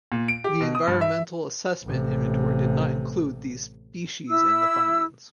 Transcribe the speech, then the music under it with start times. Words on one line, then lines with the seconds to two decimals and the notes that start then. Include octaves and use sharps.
The Environmental Assessment inventory did not include these species in the findings.
0.12 A#2
0.28 D7
0.44 G4
0.60 B2
0.75 D#6
0.87 G2
1.01 E5
1.84 A1 C3
4.29 E4 E6